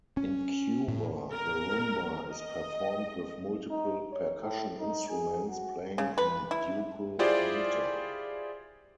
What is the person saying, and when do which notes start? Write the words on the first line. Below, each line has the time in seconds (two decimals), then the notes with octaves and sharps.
In Cuba, the rumba is performed with multiple percussion instruments, playing in duple meter.
0.17 C#4
0.88 A2
1.31 A#4
2.31 D#5
3.70 D#4
4.12 C#5
4.42 A2
4.79 D#4
5.09 G#4
5.48 F#4
5.98 C#3
6.18 B4
6.51 E4
7.19 E4 F4 G4 G#4 C5 D5